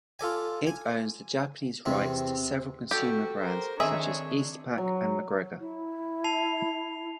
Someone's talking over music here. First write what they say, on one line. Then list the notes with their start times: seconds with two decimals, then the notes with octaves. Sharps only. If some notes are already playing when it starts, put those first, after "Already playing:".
It owns the Japanese rights to several consumer brands such as Eastpak and McGregor.
0.19 F4 A4 D5 G#5
0.67 G#5
1.86 E2 C3 C4
2.91 F#4 G4 A4
3.37 A#4 C5
3.80 D#3 C4 D4 G#4 C#5 D#5 E5
4.78 F#3
5.60 E4
6.24 A5 C7 F7